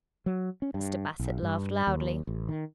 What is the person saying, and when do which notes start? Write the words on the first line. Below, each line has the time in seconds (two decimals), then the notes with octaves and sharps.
Mr. Bassett laughed loudly.
0.26 F#3
0.62 C#4
0.74 G2
1.19 B1
1.42 G2
1.87 D#2
2.27 A1
2.49 D#3